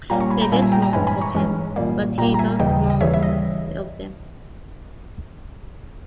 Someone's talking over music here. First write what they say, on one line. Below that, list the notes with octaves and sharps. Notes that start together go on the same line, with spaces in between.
They don't know of him, but he does know of them.
A#2 G3 A#3 C#4 G5 A#5
A#5 C#6
G#5 B5
G5 A#5
A#2 G3 A#3 C#4 E5 G#5
E5 G#5
G5 A#5
G5 A#5
G2 E3 G#3 C#4 G#5 B5
G#5 B5
A#5 C#6
G2 E3 G#3 C#4
A#2 G3 A#3
A#2 G3 A#3 G5 A#5
A#5
E5 G#5
D#2 C#3 E3 G3 D#5 G5
D#5
D#2 C#3 E3 G3 C#5 E5
E5
D#5